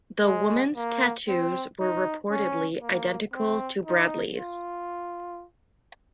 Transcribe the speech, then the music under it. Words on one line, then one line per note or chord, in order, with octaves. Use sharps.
The woman's tattoos were reportedly identical to Bradley's.
G#3
A#3
C4
D#4
C#4
A#3
C4
D#4
F4